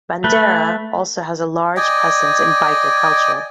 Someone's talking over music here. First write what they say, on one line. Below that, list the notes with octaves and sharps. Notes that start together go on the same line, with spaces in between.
Bandera also has a large presence in biker culture.
A3 B4
D5 D#5 G5 G#5